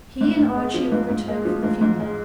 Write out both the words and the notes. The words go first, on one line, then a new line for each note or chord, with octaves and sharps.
He and Archie would return for the funeral.
G#2
G#2
G#3
F3
G#2
G#2
G#3
F3
G#2
G#2
G#3